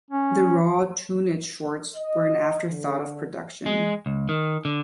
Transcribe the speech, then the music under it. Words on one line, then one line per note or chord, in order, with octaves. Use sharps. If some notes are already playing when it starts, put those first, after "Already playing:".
The "Raw Toonage" shorts were an after-thought of production.
C#4
D#5
D3
G#3
C#2
D#3
D3